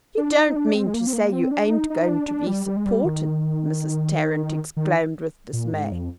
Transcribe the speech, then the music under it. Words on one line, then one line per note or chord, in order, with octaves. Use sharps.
"You don't mean to say you ain't going to be supported?" Mrs. Tarrant exclaimed, with dismay.
D4
D#4
D4
C4
G#3
A#3
C4
A#3
C4
D4
D#4
D#4
D4
D4
G3
G3
G#3
G3
D#3
D#3
A#2
G#2
F2